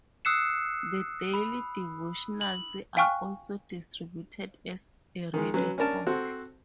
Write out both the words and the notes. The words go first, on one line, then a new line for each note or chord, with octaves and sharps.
The daily devotionals are also distributed as a radio spot.
D#6 E6 F#6 C7 C#7 E7
B5
F#7
F5 G5 G#5 C#6 F6 F#6
D#3 G#3
F#3 C#4 B4
C#4 D4 A#4 A5
C4 F#4 A4